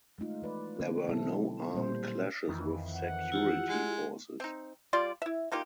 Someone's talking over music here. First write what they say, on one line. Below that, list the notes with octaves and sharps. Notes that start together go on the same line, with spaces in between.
There were no armed clashes with security forces.
G#3 A3 D#4 F4
E3 B4 D5
D3 A#3 B3 C#4
B2 F#3 G#3 C4 E4 A4
A#2 G3 A#3 C5
F2 D#3 E3
F#5
E4 F4 G4
G#3
C4 D#4
G3 F4 D5 C6
E4 E5
A#3 D#4 F4 G4